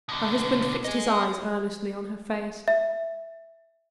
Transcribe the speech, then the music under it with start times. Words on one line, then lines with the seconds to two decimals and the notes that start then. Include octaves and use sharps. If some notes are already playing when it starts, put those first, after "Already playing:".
Her husband fixed his eyes earnestly on her face.
0.09 B2 D3
0.85 G#4 D#5
2.68 E5